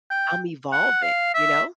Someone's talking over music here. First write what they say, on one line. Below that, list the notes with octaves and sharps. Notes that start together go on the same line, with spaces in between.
I'm evolving. You know?
G5
F#5
F5
E5